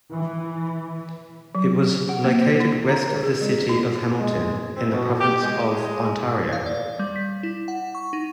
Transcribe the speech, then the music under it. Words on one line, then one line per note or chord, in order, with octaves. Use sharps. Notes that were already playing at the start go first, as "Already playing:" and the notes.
It was located west of the city of Hamilton in the province of Ontario.
E3
F#3
F#5
A#3
C5
E4
A#5
A#4
G#4
G#3
E4
G#3
C4
B2
G4
G#3
F5
D5
G3
B6
E4
F#5
C#6
D#4